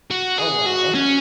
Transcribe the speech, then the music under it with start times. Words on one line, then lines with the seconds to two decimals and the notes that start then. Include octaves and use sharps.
Oh, wow.
0.11 F#4
0.38 G#4
0.66 F#4
0.94 C#4